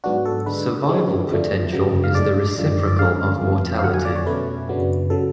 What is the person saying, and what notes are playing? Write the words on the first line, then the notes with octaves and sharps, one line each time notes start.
Survival potential is the reciprocal of mortality.
G#2 F#3 B3 D4 F#4
A4
D3 G#3 D4 B4
D3 G#3 C#4
F2 D3 F3 A3 D4
F#2 C#3 F#3
F5
A2 G#3 D4 D5
F#2 D3 F3 G#3
D5
D3 G#3 C#4 F5
F2 F3 A3 C#4
F5
F2 D3 F#3 F#5
G#5
D5
C#5
B2 A3 C#4 B4
F#2 C#3 F#3 B3 D4
C#3 F#3 A4